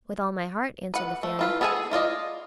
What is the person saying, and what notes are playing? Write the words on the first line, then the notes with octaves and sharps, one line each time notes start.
"With all my heart," answered the Fairy.
B4 F#5
A3
E3 F4 B4
B3 G#4 A4 E5 G#5
G#4
E4 F4 D5 D#5